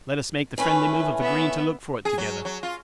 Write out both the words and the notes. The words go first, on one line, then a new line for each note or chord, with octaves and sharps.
Let us make the friendly move of agreeing to look for it together.
E3 A3 C#4 B4
B3 E5
G#4
F#3
F#3
F4